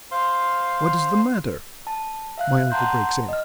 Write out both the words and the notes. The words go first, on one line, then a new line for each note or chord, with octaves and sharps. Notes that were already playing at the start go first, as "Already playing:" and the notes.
"What is the matter?" my uncle breaks in.
C5 F5 C6
A5
E5 F5 F#6
F#5 A5 A#5 C6 G6
D#5 F6